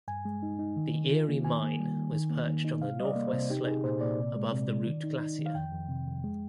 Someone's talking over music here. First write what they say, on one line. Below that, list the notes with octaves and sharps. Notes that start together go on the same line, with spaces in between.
The Erie mine was perched on the northwest slope above the Root Glacier.
G2 G#5
G#3
D#4
D#4
D#3
D#3
F4
A#3
D#3 G#5
A#3
G3
D#3
D#3
A#3
D#3
D#4
C3 F5
G3 D#5
D5
A#3
C5
C3
D#4 G4
D#4 G#4
A#2 C5
A#2 D5
C3
G#3
C3
G#3
D#3
D#4
D#4
D#3
F5
F2 G5
F2
C3
F2
G#3